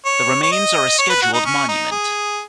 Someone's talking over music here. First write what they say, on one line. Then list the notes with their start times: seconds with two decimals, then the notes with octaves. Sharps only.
The remains are a scheduled monument.
0.06 C#5
0.43 C#5
0.52 D#5
0.99 C#5
1.10 B4
1.22 F#4
1.33 D#4
1.45 C#4
1.68 D#4
1.92 G#4